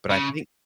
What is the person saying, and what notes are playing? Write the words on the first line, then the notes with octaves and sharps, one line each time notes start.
But I think
C#3